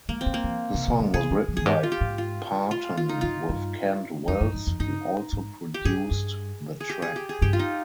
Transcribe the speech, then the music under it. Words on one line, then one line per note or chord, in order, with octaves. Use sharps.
The song was written by Parton with Kent Wells who also produced the track.
G#3 A#3
C4
G#3
A#3
F3
C3
C#3
D#3
C#3 G#4
D#3
D#3
G2 G#4
G#2 G4
F4
G4
G#2
F4
F4
F4
D#4
G2 F4
G2
F2 D#4
G2
G2
F2
G2 D#4
G#2
G4
G#2 G#4
G2
G#4
G4
G#4
G4
G#4
G2 G4
F4
D#4